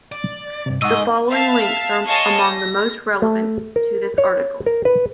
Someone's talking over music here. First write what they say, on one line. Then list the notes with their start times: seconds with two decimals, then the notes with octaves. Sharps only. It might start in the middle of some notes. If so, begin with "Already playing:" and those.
The following links are among the most relevant to this article.
0.12 D5
0.66 G2 C3
0.82 G#2 D#5 F#5 C#6 E6
1.31 E5 F5 A5
2.06 C#5 D#5 F5 G#5 A5 C6
2.37 A#6
3.22 A3
3.76 A#4
4.18 C#5
4.66 A#4
4.85 B4